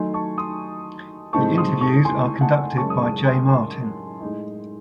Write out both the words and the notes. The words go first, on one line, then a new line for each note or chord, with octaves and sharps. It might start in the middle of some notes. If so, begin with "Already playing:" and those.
The interviews are conducted by Jay Martin.
Already playing: D#3 F#3 A3 D#4 G#5 C6
A5 C#6
C6 D#6
A2 G#3 C4 D#4 A5 C#6
C6 D#6
A5 C#6
G#5 C6
F#5 A5
F#2 C#3 G#3 C#4 A5 C#6
D#6
A5 C#6
G#5 C6
G#5 C6
A2 G#3 D#4